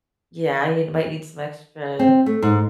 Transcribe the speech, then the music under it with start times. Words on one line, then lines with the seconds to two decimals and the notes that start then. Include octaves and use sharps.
yeah, you’d might need some extra
1.99 C4
2.26 A3
2.42 G#2